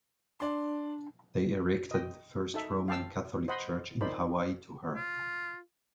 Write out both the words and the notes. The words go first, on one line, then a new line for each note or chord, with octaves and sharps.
They erected the first Roman Catholic church in Hawaii to her.
D4 D5 C6
D#5 G5
D#4 A4 E5
F5 G5 A5 E6
C5 D#5 F#5 B5 C6
D#4 F4 A#4 C5 D5 B5
F4